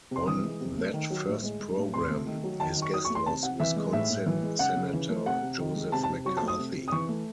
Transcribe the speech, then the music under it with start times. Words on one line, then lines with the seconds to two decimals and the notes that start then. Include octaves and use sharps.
On that first program, his guest was Wisconsin senator Joseph McCarthy.
0.11 C3 C6
0.27 E3 D#6
0.44 G#3
0.61 C3
0.77 A3
0.94 D#3
1.10 F#3
1.27 A2
1.43 G#3
1.60 G#3
1.77 A2
1.94 C3 C6
2.10 A3
2.26 D#3
2.44 F#3
2.60 D#3 A5
2.77 D#3
2.82 C#6
2.93 F#3 D#6
3.05 C#6
3.10 A3
3.15 C6
3.26 C3 A5
3.43 C3 F#5
3.60 E3 E5
3.76 G#3
3.93 A2 E5
4.10 A2
4.26 E3
4.43 G#3
4.59 C#3 F#5
4.76 C#3
4.93 E3
5.09 A3
5.26 C3 F#5
5.42 C3
5.60 D#3
5.75 G#3
5.92 C3 A5
6.03 A5
6.09 C3
6.26 F#3 C#6
6.37 A5
6.42 A3
6.48 D#6
6.59 C3
6.75 C3
6.88 D#6
6.92 E3 C#6
7.09 A3